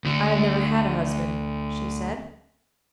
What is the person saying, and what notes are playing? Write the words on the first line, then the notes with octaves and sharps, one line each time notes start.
"I have never had a husband," she said.
D2 D3